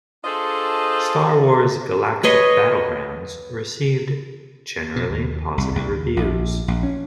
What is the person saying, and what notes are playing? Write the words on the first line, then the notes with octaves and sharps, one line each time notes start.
"Star Wars: Galactic Battlegrounds" received generally positive reviews.
D4 F4 G#4 A4 C5 D#5
B4 C#5 D#5 C6
B2
D#2
C2
C2
D#2
A#1
A#1
C#4